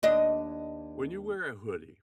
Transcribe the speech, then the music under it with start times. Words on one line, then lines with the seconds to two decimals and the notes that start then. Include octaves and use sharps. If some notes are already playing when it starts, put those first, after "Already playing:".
when you wear a hoodie
0.03 D#2 D4 D#5